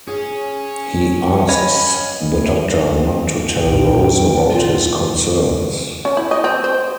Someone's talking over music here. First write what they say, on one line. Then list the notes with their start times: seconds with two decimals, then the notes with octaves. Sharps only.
He asks the Doctor not to tell Rose about his concerns.
0.07 C#4 G#4
1.49 C#5 D#5 F5 B5
3.59 C2 F2 A#2 G5
4.49 F4
6.05 C#4
6.17 E4
6.31 D#5
6.44 C4
6.64 C5